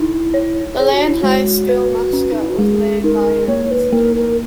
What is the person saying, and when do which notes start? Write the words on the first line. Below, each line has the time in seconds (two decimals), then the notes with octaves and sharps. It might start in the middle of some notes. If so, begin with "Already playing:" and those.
The Lane High School mascot was Lane Lions.
Already playing: D#4 E4
0.34 C#5
0.79 G#4 C#5
0.94 F#4
1.07 E4
1.22 G#3 F#4
1.69 B4
2.13 C#4
2.32 D#4
2.41 E4
2.50 F#4
2.58 G#3 G#4
3.04 D#4 A#4
3.48 A#3 C#5
3.71 B4
3.93 A#3 A#4
4.16 A#4